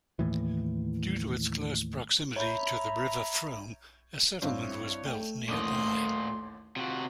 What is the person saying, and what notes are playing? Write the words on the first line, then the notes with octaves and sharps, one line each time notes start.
Due to its close proximity to the River Frome a settlement was built nearby.
D#2 A2 E3
C#5 E5 A#5 B5 G6
G2 C4 E4 C#5 F5
A3 G5
A1 D#2 A#2 D#5 C6 D6
C3 F4 F#4